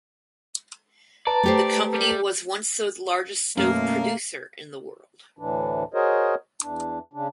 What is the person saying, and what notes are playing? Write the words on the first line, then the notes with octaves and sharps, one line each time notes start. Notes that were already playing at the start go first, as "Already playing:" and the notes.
The company was once the largest stove producer in the world.
B4 D5 A5 A#5
A3 G4 C5
G3
F#2 B2 A3 A#3 A#4 F5
D2 A2 E3 D4
F#4 G#4 A#4 C5 C#5 D#5
E2 D4
C#3 D4